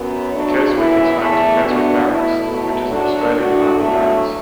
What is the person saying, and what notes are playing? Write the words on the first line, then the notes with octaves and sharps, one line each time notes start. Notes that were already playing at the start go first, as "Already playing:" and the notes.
Keswick is home to Keswick Barracks, which is an Australian Army Barracks.
Already playing: F#2 F#3 B3
B2 F#3 A3 D4 F#4
F#2 E3 B3 E4
E2 E3 A3
B2 B3 D4 F#4
B2 A3 E4
B2 F#3 A3
D3 F#3 D4 F#4
A2 A3 D4 F#4
E2 D3 F#3 A3